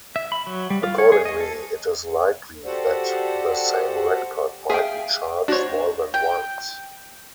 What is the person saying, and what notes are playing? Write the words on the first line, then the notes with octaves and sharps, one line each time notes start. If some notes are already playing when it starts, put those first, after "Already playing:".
Accordingly, it is likely that the same record might be changed more than once.
E5
B5
F#3
G3
F4
C#5
G#4
D#5
A4
F#4 G4 A4 C5 D5 F#5
G#4 E5 F5 G5
D4 F#4 C5 C#5
G5